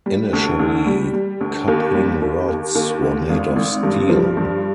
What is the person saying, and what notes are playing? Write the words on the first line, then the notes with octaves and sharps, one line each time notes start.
Initially, coupling rods were made of steel.
G3
D2
D2
G3
G3
D2
D#2
G3
D#2
D#2
D#2
D3
G#1
G#1
G2
F3
G2